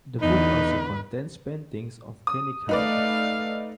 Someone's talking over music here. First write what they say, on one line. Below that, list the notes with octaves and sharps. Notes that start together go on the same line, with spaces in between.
The book also contains paintings of Ghani Khan.
E2 D3 D#4 B4
D#6
A3 D#4 B4 D5 F5